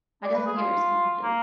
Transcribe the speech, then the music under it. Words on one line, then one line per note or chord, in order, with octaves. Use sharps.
I definitely get what you're saying completely.
D5
B4
G#4
F4
A#3